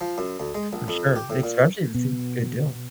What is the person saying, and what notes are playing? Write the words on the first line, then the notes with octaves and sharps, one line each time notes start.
for sure. Especially if it's a good deal.
F3
F#2
D2
G#3
A#1
F2
G4
A2
A#2
B2 B3